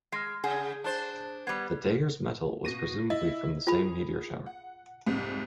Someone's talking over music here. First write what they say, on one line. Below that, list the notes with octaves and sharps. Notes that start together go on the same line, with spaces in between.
The dagger's metal was presumably from the same meteor shower.
G#3 F6 A#6 C7
C#3 G#4 F#5
D4 C5 A5 F#6 A6
G3 B3 G#6 C7
B2 A#6 D#7
E4 D#5
F4 G#4 B5
F#5
C2 F2 G#2